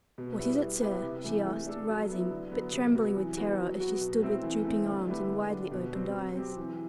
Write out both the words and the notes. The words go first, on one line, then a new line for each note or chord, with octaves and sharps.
"What is it, sir?" she asked, rising, but trembling with terror, as she stood with drooping arms and widely opened eyes.
B2
G3 B3 E4
G3
B3 E4 G4 B4
C3
E3 A3
A3
D4 A4
F#3
B3 E4
D3
F#3 B3
C3
F#3 B3 F#4
E3
B3 F#4
F#3
B3 F#4
B2
A3 C4 E4
E3
A3 C4
D3
A3 E4 G4 B4
D3
G3 D4
B2
G3 C4
F#3
C4 G4
E3